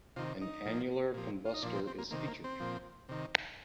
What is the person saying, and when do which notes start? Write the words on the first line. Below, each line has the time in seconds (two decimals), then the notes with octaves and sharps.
An annular combustor is featured.
0.16 C3 D#3 F4
0.41 D#4
0.65 A#2 F3
1.14 A#2 F3
1.45 F4
1.54 D#4
1.63 A#2 F3 D4
1.75 C4
1.87 C4
1.98 A#3
2.11 C3 D#3 A#3
2.28 A#3
2.44 C4
2.60 A#2 F3
3.09 C3 D#3